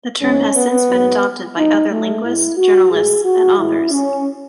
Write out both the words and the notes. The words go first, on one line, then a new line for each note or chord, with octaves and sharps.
The term has since been adopted by other linguists, journalists, and authors.
G#2 E3 G#3 C#4
B3
G#2 F#3
D#2 D#3 F#3 D#4
A3
A2 G#3 E4
F#4
A2 G#3 G#4
F#4
A2 E3 G#3 E4
C#4